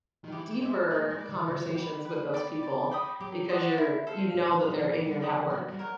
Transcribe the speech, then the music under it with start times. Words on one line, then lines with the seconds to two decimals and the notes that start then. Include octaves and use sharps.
deeper conversations with those people, because you're you know that they're in your network.
0.24 D#3
0.32 E3 G4
0.61 G#3 C5 E5
0.90 A#3 G#4
1.09 G#3
1.18 B4 D5
1.29 D#3
1.48 D3 D5
1.67 E3
1.76 G5 B5
2.05 B4
2.34 D5 G5 B5
2.63 D5
2.91 G5 B5 D#6
3.20 F#3 G4
3.49 C5 D#5 F#5
3.78 E4
4.07 A4 C5 F5
4.35 F3 F4
4.49 F#3
4.64 F#3 G#4 B4
4.79 E3
4.93 E3 D5
5.07 G3
5.19 F#3 G5 B5 D#6
5.31 F3
5.50 F#3 F#4
5.70 G3
5.79 A#4 C#5 F#5